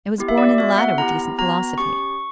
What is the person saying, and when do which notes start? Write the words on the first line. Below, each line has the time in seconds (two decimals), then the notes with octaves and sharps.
It was borne in the latter with decent philosophy.
0.18 B3 E4 G4
0.28 E5
0.38 D5
0.58 B3 F#4 E5
0.78 F#5
0.98 B3 E4 G4 A#5
1.38 B3 F#4 A#5
1.78 C#4 G4 C#6